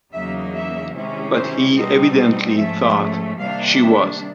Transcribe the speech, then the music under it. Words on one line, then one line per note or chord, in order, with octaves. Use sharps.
But he evidently thought she was.
E2 C#3 F#3 A#3 D#4 E5
E5
C3 D#3 G#3 C#4 E4
C5
B2 G3 C4 D#4 D#5
G#2 F3 A3 C#4 E5
C3 D#3 G3 A#3 D4 F5
E5